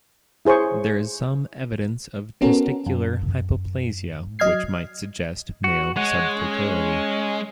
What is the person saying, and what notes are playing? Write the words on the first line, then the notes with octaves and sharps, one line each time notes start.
There is some evidence of testicular hypoplasia which might suggest male subfertility.
E4 G#4 C5 C#5 C#6
B3 C#4 F#4 A4 A#4
F#2
F#3 D#5 F6 G#6 C7
F#4
G#3 C#5 F#5
C#4